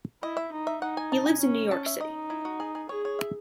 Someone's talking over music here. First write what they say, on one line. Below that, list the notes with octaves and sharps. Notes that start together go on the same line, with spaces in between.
He lives in New York City.
E4 D#5
E5
D#4
E5
D#4 F#5
G#5
A5
G#5
C#4
C#4 A5
E5
D#4 D#5
E4
F#4
G#4
G#4
G#4 C#5
C#5
E5